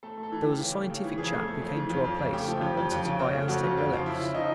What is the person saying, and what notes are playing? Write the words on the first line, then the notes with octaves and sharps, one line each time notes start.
There was a scientific chap who came to our place and wanted to buy Aztec relics.
A3 A4
A3
A4
E3
G4
E3
C#3
A3
C#3
E3
F2 G#4
A3
A3
F2
E3
F2
F2
C#3
A3 G4
F3
F2
F2
F2
C#3
C#3
A3
F2 F#4
F2
C#3
F3 F4
C#3 E4
C#3
F3 D#4